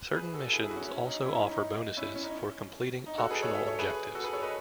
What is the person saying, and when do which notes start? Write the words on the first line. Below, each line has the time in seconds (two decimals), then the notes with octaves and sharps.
Certain missions also offer bonuses for completing optional objectives.
0.15 G#4 B4
0.34 F#4 A4
0.52 E4 G#4
0.64 E4 G#4
0.71 F#4
0.76 C#4 E4
0.88 C#4
1.06 D#4
1.24 C#4 E4
1.34 D#4
1.42 C#4
1.51 D#4
1.97 C#4 E4
2.15 C#4
2.23 D#4
2.30 C#4
3.06 D#4
3.18 F#4 A4
3.30 G#4 B4
3.42 A4 C#5
3.54 C#5 E5
3.66 A4 C#5
3.79 G#4 B4
4.15 F#4 A4
4.24 G#4 B4
4.33 A4 C#5
4.43 B4 D#5